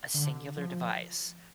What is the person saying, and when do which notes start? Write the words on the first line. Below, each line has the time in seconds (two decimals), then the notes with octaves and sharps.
a singular device
0.14 D3
0.57 F3